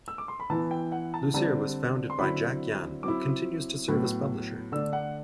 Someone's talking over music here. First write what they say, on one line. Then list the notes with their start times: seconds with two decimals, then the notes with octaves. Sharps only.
"Lucire" was founded by Jack Yan, who continues to serve as publisher.
0.08 E6
0.18 D6
0.28 C6
0.40 B5
0.50 E3 B3 E4 A5
0.71 G5
0.92 F#5
1.14 A5
1.34 D3 G3 C4 A5
2.10 C6
2.19 D3 F#3 C4 E4 B5
3.03 F#3 C4 E4 D6
3.88 A2 F#3 B3
4.72 D3 A3 D4 E6
4.93 F#5